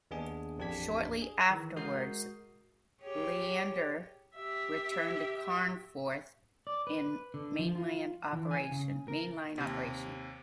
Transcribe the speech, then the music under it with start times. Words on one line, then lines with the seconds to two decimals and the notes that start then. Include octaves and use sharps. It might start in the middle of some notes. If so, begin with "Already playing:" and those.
Shortly afterwards, "Leander" returned to Carnforth and mainline operation.
0.11 D#2 B3 D4 G#4 G#5
0.58 A1 F2 D4 G4 G#6 B6
1.22 G#4
1.49 D#3 E3
1.76 G#3 F#4 A#4 D#6 G6 C7
3.02 G4 G#4 C#5
4.35 G4 E5
6.67 D5
6.87 B4
7.34 D3
7.59 F3
7.75 F4
8.33 E3
8.51 G#5
8.72 C#3
9.08 A#4
9.58 D#2 C3